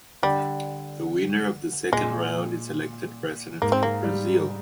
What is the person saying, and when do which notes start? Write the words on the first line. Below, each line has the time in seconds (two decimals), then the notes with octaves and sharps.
The winner of the second round is elected President of Brazil.
0.23 D3 G3
1.92 A#2 G#3
3.62 G#2 A#3
3.72 C4
3.83 A#3
4.04 G3